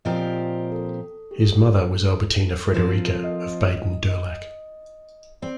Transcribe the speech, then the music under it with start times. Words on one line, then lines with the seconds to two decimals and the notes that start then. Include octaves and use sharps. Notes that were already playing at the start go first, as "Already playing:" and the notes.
His mother was Albertina Frederica of Baden-Durlach.
0.05 A#2 F3 C4 G4 A#4 D#5
0.72 A4
1.31 G4
1.40 A4
2.66 A#4
2.74 F3 C4 F4 C5
2.90 A#4
3.07 A4
3.24 D#5
4.08 D#5
5.42 C4 D5